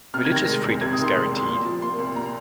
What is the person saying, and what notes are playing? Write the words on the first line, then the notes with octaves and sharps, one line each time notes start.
Religious freedom is guaranteed.
C3 F6
G#6
D#3
A#6
G#3
C2
C3 G#6
D#6
D#3
C6
G#3 D#6
C2
C6
A#2 C6
F3
A#3 C6
C2
A#2 A#5